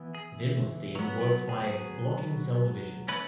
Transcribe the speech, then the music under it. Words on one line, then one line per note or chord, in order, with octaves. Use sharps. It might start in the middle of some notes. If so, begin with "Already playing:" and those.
Vinblastine works by blocking cell division.
Already playing: E3 B3
G#4
F#3 B3
G#4
A3 C#4 B4